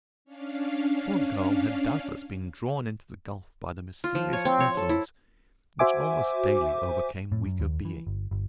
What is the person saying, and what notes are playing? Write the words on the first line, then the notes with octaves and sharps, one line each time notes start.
The poor girl had doubtless been drawn into the gulf by the mysterious influence which almost daily overcame weaker beings!
C#4 D4 F5
F4
F3
C#5
C4
C#5
A4
E4
F#4 C5 E5 G#5 D6
A2
F#2
D#2
E3
G1
G1